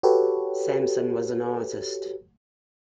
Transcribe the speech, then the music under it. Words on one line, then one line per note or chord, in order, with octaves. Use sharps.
Sampson was an artist.
F#4 G4 A4 B4 C#5